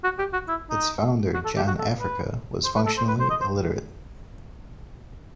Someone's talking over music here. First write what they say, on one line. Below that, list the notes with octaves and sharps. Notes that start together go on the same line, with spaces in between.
Its founder, John Africa, was functionally illiterate.
F#4
G4
F#4
E4
D#4
F#4
A4
G4
F#4
A4
B4
C5
B4
A4
C5
B4
C5
D#5
C5